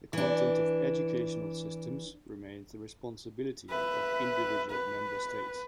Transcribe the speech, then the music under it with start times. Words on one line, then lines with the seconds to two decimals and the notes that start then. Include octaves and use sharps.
The content of educational systems remains the responsibility of individual Member States.
0.13 E3 D4
3.70 B4 E5
4.70 B4